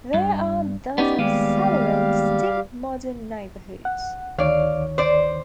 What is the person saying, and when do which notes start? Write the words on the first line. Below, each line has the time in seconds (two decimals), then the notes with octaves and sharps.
There are thus several distinct modern neighborhoods.
0.14 G2
0.98 B3 C#4 D#4 G4 D5
1.19 D#2 G3 G#3 B3 G4 F5
3.85 F#5
4.38 D2 D#3 C#5 D5 F5
4.98 C5 D5